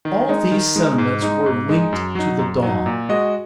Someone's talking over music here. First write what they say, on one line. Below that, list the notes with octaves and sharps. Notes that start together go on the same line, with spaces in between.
All these sentiments were linked to the dawn.
D#3
G#3 D#4
D#3
G#3 D#4
G#2
G#3 D#4
G#2
G#3 D#4
F#2
F#3 D#4
F#2
F#3 D#4
A#2
G#3 F#4 D#5